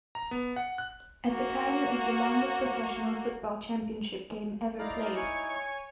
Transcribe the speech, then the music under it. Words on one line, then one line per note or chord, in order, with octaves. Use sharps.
At the time it was the longest professional football championship game ever played.
A#5
B3
F#5
F#6
A#3 F#4
D#4 E4 D5 F5 A#5
C#5 G#5 C#6